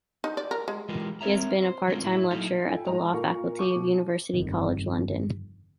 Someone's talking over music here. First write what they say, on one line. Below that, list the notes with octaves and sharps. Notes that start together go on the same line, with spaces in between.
He has been a part-time lecturer at the Law Faculty of University College London.
D#4
D5
A#4
G#3
E3 G#3 F4 G4 A#4 B4
C4 A#4 C#5 E5 A#5
C5
F3 G#3 C4 C#4 F4 A#4
A2 E4
A#2 F#3 D#4 E4 A4 F5
E4 F4 A4 G5 G#5
A2 G#3 D#5 A#5 F7
A#2 A#4 F5 C#6
C#6 D6 D#7
B2
G1 F2 C3 D#3